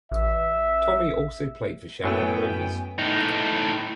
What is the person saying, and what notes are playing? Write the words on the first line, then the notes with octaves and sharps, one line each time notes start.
Tommy also played for Shamrock Rovers.
A1 E5
F#2 A2 F#3 A3 B3 G5 G#5
A2 D#4